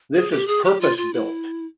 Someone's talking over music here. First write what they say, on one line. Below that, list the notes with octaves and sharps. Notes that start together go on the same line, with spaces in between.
This is purpose built.
G#4
G4
G#4
G4
F4
F4
E4